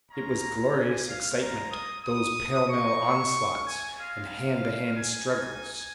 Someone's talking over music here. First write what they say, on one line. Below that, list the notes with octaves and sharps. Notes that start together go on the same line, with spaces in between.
It was glorious excitement, those pell-mell onslaughts and hand-to-hand struggles.
G#3 C#4 F4 A#5
G#5
F5
A#3 F4 A#5
D#6
D#6
G#3 D#4 C#6
G#5
G#3 F4 F5
G#5
A#3 D#4